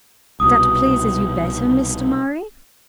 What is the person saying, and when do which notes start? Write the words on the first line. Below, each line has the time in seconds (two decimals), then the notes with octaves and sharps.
"That pleases you better, Mr. Murray?"
0.40 C2 B2 D#6